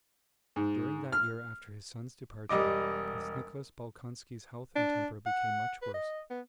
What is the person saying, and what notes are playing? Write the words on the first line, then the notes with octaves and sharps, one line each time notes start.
During that year after his son's departure, Prince Nicholas Bolkonski's health and temper became much worse.
G#2
F6
E1 G3 D#5 D6
D4
F#5
B4
D#5
B3